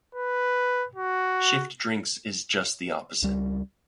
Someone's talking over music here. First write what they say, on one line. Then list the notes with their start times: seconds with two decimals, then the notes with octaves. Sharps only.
Shift Drinks is just the opposite.
0.15 B4
0.95 F#4
3.22 C#2 G3